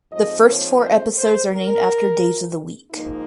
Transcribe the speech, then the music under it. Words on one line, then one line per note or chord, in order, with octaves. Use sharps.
The first four episodes are named after days of the week.
G#2 F3 C4 D#5
C#5
C5
C5
A#4
G#2 F3 A#3 D#4